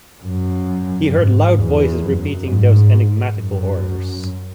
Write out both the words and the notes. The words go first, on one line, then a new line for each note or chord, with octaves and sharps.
He heard loud voices repeating these enigmatical orders.
F#2
G#2
E2
F#2
G#2
F#2